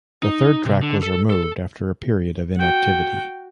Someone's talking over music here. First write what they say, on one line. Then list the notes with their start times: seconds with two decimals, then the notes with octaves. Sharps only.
The third track was removed after a period of inactivity.
0.23 D#4
0.66 C3
0.83 D3
1.03 A4
1.30 A4
2.56 F#4 G5